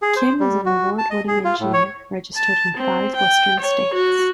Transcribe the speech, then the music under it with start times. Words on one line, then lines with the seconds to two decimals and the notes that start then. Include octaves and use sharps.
Kim is an award-winning engineer, registered in five western states.
0.02 G#4
0.16 C5
0.40 G3
0.66 F#4
0.98 A5
1.10 D#5
1.28 G#4
1.45 F4
1.60 A2
1.73 C#5
2.36 A5
2.77 C4
3.16 G5
3.60 C#5
3.94 F#4